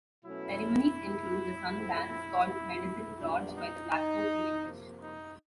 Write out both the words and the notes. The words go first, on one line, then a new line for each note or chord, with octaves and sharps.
Ceremonies include the Sun Dance, called Medicine Lodge by the Blackfoot in English.
B2 F#3 A3 C#4 E4
A2 F3 A3 C4
A#2 G3 B3 D4
D#4
D#4
C3 F3 A#3
D#4